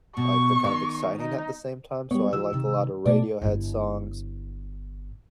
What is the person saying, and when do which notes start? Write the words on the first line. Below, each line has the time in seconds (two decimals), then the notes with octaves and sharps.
like, they're kind of exciting at the same time. So, I like a lotta Radiohead songs,
0.17 B2 C#6
0.64 D#3
1.20 D#4
2.11 G3 B3 C#5
2.33 E3 F#3 E6
2.53 C3 D#3
3.06 B2 A3 D5
3.41 G1 E4